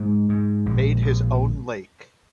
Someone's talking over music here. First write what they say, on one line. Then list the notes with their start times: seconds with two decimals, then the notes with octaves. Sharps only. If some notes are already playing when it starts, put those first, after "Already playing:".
Made his own lake.
Already playing: G#2 G#3
0.29 G#2
0.66 A#1
1.02 A#1